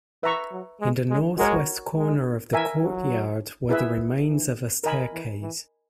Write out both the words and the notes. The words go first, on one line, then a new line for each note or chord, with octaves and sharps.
In the north-west corner of the courtyard were the remains of a staircase.
E3 B4 E5 A#5 C#6
F#3
G#3
G#3
G#3 F#4 A#4 C#5
G#3
E3 A#4 E5 G#5
F#3
E4 G#4 B4 E5
E3
D#3 A#4 D#5 G#5 B5
E3
E3